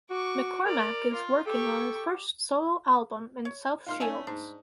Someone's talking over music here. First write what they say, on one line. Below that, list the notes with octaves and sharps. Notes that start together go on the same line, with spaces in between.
McCormack is working on his first solo album in South Shields.
F#4 C#6 D6
A#4 D5
F4
G4 A4 C#6
C#5
F4 C6 F6
A3 C#4 D#4 D5 G#5
G#2 D4